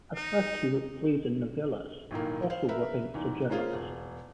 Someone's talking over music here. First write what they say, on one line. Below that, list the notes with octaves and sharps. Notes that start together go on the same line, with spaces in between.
At first he wrote plays and novellas, also working as a journalist.
D#4
B1 A2 D#3 A#3
C5 F5
A#4 B4 E5
E2 G#2
C#3 A#3 C#4 F4 G#4 C5
E1